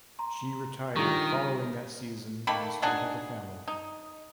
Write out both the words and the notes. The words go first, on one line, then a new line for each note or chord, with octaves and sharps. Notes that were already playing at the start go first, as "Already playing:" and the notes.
She retired following that season and started a family.
A#5 C6
D#3 G3 D4 F4 A#5 C#6
D#3 A3 A#3 B5
D4 D#4 F#4 G#4
D#4